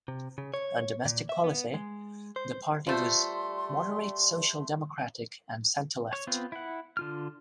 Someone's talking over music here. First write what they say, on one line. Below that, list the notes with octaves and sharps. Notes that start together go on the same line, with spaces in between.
On domestic policy, the party was moderate social-democratic and centre-left.
C3
C#3
C#5
A#2
E5
B3
G#3
C5
B2 G3 A3 F4 C5 A5 C6
C#5
B3 C4 F4
E4 F#5
D3 F4 F6